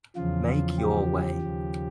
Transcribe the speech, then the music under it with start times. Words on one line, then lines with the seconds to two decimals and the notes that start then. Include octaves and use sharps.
Make your way.
0.16 E2 C#3 F3 F4
0.78 G4
1.41 D#2 C#3 F3